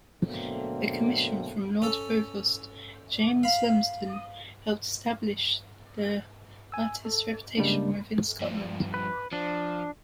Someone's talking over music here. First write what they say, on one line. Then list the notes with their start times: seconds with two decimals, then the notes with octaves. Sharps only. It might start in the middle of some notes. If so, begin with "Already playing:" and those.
A commission from Lord Provost James Lumsden helped established the artist's reputation within Scotland.
0.22 B2 D3 F#3 A3 A#3 C4
1.82 C#4 A4
3.43 F5 B5
6.72 G#5 E6
7.05 A4
7.57 C#3 G3 G#3 A#3 D4
8.40 G2 F3
8.94 B4
9.33 F3 D4